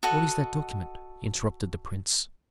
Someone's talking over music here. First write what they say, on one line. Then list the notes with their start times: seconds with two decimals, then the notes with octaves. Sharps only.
"What is that document?" interrupted the prince.
0.03 F#4 A4 D#5 F#5